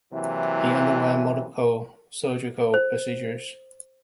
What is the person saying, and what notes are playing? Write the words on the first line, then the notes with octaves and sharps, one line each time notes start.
He underwent multiple surgical procedures.
C3 E3 F#3 A#3 E4
C5